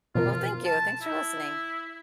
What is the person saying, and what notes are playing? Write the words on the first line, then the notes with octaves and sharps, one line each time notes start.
Well, thank you. Thanks for listening.
B2 F3 F4 A#4
F4
A5
E4